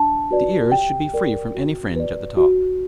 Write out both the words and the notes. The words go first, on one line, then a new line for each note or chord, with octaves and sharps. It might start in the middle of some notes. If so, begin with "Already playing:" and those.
The ears should be free from any fringe at the top.
Already playing: D4 A5
F#4 B4 D5
G4 G5
A#4 D5
F#4
B4 D5
F#4